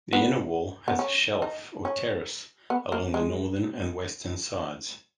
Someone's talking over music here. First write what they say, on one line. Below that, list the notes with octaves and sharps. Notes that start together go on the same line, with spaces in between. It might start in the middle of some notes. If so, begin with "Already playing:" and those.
The inner wall has a shelf or terrace along the northern and western sides.
B3
B3
C#4
D#4
C#4
B3
A#3
G#3